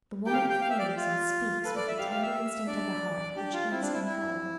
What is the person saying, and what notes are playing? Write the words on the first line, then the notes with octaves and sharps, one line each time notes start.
The woman feels and speaks with the tender instinct of the heart, which is infallible.
G4 G5
F5
G5
G5
F5
E5
D5
G4
F4
A4 B4
D5
E5
G4 F5
F5
E5
D4 D5
D4 G4
F4
C4 E4
D4
E4
E4